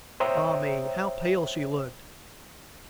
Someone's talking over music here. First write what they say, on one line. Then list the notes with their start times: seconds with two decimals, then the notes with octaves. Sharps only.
Ah me, how pale she looked!
0.20 C5 C#5 E5 G5 A#5 D#6